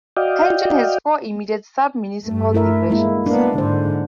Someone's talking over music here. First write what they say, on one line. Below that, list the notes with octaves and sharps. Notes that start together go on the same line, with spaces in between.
Panjin has four immediate sub-municipal divisions.
F#4 D5 D#5 F5 G5
G2 A3
E4 A#4 E5
G#3 A#3 E4
A#3 B3 D4
G#2 D3 C5